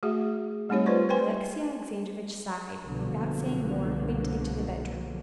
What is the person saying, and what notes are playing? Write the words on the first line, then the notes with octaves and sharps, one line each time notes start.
Alexey Alexandrovitch sighed, and, without saying more, went into the bedroom.
A3 F#4 G#4 E5
G3 A3 C4 D#4 G4 C#5
F4 B4 C5 D5 C#6
B4 C5 G5 G#5 C6
C2 B2 D3 F3 F#3 A#3